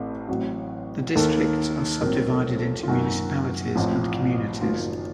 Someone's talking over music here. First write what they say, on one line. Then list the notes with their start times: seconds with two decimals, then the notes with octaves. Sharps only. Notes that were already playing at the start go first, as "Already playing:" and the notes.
The districts are subdivided into municipalities and communities.
Already playing: A1 A2 A3 C4
0.28 A1 A2 F#3 C4 F#4
1.15 D#2 D#3 A#3 A4
2.01 A#1 A2 F#3 C4 A#4
2.31 A4
2.59 A4
2.83 F4
2.88 F#2 D#3 A#3 F#4
3.75 A1 A2 F3 C4
4.61 F#1 F#2 D#3 F#3 A#3 F4